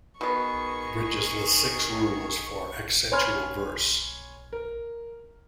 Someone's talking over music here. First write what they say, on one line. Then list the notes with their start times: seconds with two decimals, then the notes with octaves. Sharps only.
Bridges lists six "rules" for accentual verse.
0.21 B2 D#3 B3 G#4 C#6
3.12 C#5 G#5 B5 C6 F6 G#6
4.53 A#4